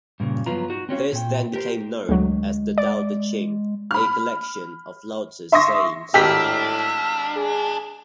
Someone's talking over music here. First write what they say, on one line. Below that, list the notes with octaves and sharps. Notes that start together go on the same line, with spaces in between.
This then became known as the "Dao De Jing", a collection of Laozi's sayings.
G2 A#2 C#3
G2 F3 F#3 B3 F4 A#5
D#4 F#4
C4 C#4 F#4 F5
A#2 G5
G4 A#4 C5
D2 F#3 G#3
D5
B5 F6
E5 C6 C#6 D#6 A#6
G#1 A2 D4 G4 E6 F6 B6
G#4